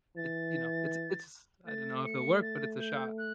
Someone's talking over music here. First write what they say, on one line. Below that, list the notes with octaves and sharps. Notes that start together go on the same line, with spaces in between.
it's, you know, it's it's I don't know if it'll work, but it's a shot.
E3 A6
A3 A6
C#7
A6
G6
F#6